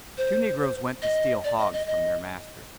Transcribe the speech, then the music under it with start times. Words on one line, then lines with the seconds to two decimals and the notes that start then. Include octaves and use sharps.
Two negroes went to steal hogs from their masters.
0.18 C5
1.02 D#5
1.44 D5
1.59 D#5
1.73 D#5
1.87 D#5